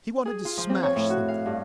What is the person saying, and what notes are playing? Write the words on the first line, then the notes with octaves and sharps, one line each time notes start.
He wanted to smash something.
G#4
F4
F3
C4
C#5
A2
F#4
F5
G2